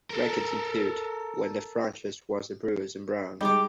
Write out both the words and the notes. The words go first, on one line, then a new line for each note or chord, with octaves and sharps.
Records include when the franchise was the Brewers and Browns.
A4 A#4
G3 G#3 D#4 G4 D6